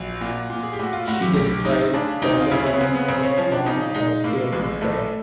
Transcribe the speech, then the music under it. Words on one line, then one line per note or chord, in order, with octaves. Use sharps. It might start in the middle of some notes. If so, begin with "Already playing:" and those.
She described the undertones of the song as "fairly sad".
Already playing: A#1 F#4
A#2
A#2
G#4
G4
A2 F#4
F4
A2 F#4
G4
B1 G4
A2 D#4
C#3 D4
D2 D#4
F4
C#3 E4
C#4
B3
C#3 C4
B3
C#3 C4
C#4
F3 C#4
D4
C#3 D#4
G#3 D#4
A2 A#3
A1 G#3
A2 A3